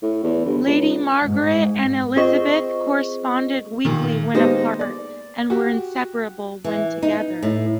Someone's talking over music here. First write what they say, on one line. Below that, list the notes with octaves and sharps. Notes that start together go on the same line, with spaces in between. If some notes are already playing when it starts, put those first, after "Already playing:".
Lady Margaret and Elizabeth corresponded weekly when apart and were inseparable when together.
A2
E2
G1
C#2
G#2
C4 F4 G#4 C5 D#5 C#6
A#2 D#3
G#3 A#3 B3 D#4 G4 C5
D5
F#4 G4
E3
D#4
A2